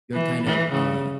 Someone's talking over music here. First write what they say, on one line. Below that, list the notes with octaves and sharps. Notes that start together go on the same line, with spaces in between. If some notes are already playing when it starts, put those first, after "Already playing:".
you're kind of, uh,
E3
E3
C#3